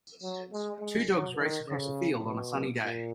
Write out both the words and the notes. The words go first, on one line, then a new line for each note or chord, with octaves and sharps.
Two dogs race across a field on a sunny day.
F#3
G#3
G#3
F#3
D#3
C#3
B2
A#2